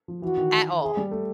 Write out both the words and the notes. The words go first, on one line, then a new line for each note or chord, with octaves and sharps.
at all.
F3
E3 F#4
D#3
G#4
G3
A3